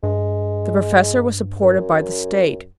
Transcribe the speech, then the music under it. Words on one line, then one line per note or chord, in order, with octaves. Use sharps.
The professor was supported by the State.
G2 G#3
F#2